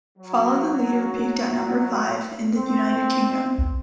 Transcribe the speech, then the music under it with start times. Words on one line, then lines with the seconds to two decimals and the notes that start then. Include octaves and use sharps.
"Follow the Leader" peaked at number five in the United Kingdom.
0.18 F#3
2.56 C4